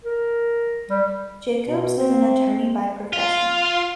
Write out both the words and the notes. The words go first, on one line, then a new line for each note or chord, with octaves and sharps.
Jacobs is an attorney by profession.
A#4
G3
B2
C4
F4